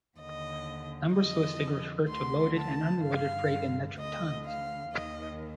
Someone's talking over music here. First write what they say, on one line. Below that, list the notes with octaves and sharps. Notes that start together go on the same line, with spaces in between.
Numbers listed refer to loaded and unloaded freight in metric tonnes.
D#2 D3 D#5
F2 D3 D#5
D2 D3 C6
A5
G2 D3 F5
D2 D3 D#5
F5
D#2 D#3 D#5